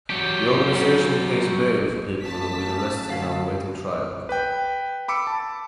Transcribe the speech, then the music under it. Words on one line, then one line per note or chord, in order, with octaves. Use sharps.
The organization pays bail for people who have been arrested and are awaiting trial.
F#3 G4
A3 C#4 F4 A5 B6
D2 F#3 F5
B4 G5
B5 D6 E6 C#7
A5